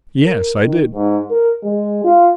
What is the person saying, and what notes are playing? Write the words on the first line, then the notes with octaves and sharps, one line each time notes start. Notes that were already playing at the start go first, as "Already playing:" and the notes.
"Yes, I did."
A#4
D#3
G#2
A#4
G#3
F4